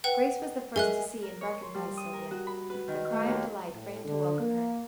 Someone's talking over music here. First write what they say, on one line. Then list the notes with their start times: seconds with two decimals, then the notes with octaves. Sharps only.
Grace was the first to see and recognize Sylvia, and with a cry of delight ran to welcome her.
0.04 B4 F#5 G5
0.76 G#3 G#4 A#4 E5 F#6
1.22 A#4
1.41 C#5
1.62 C6
1.74 G3
1.97 D#6
2.13 A#4
2.31 F#4
2.47 B5
2.70 B4
2.88 D#3
3.12 A3
3.26 D#2
3.73 A2
4.04 D3
4.39 A#3